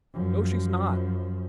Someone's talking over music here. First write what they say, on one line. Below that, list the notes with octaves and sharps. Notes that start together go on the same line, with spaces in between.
"No, she's not."
F#2 F3